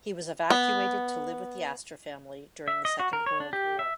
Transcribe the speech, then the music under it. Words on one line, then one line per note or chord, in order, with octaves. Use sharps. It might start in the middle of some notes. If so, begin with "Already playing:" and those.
He was evacuated to live with the Astor family during the Second World War.
B3
E5
D#5
F#4
A#4
C#5
D4
G4
E5